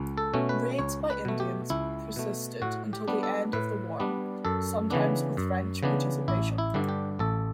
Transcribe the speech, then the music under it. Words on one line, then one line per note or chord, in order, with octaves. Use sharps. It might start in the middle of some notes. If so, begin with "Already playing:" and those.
Raids by Indians persisted until the end of the war, sometimes with French participation.
Already playing: C#2
A4
B2 A3 C#4
B4
C#2 C#5
B4
B2 A3
G4
C#2 E4
B2 A3
A2 F#4
G4
G3 B3 D4
A4
A2 B4
G3 B3 D4
F#2 A4
C#3 E3 B3 D4
F#2
C#3 E3 B3 D4
A1 E4
E4
G2 D3 G3 D4
G4
A1 A4